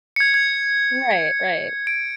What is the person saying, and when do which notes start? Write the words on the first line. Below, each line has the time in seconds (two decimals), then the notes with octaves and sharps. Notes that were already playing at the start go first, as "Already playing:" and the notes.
Right, right.
0.16 G#6 C#7
0.34 G#6
1.87 D7